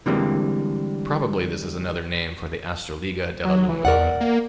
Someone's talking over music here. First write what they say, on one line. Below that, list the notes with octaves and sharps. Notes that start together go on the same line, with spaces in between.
Probably this is another name for the 'astroliga della Lungara'.
D3 E3 G3 G#3 A#3 C4
F#3
E3
E2 A#4 D5 F#5
A#3